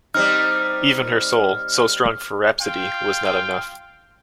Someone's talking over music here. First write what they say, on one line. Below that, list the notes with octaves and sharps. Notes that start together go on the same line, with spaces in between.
Even her soul, so strong for rhapsody, was not enough.
G3 C4 D#4 F6
F4 F5 G5